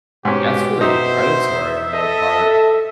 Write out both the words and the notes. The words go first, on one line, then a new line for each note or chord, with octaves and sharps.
That's really predatory on their part.
G#2 B2 C#4 G4
D#4 C5 E5
A4 D#5